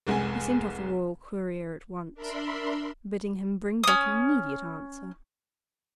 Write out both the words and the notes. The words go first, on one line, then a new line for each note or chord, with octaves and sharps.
He sent off a royal courier at once, bidding him bring back an immediate answer.
F1 C2 G#3 F#5 G#5
D4 A#4 E5 B5 C6
C#4 D#6